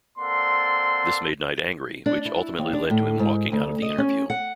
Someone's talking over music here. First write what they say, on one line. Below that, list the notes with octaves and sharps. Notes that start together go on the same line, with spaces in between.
This made Knight angry, which ultimately led to him walking out of the interview.
A#3 C4 A4 D5 F#5 C6
D4
E4
D#2
D4
A2
G#2
D2
D#5
C#4
F#5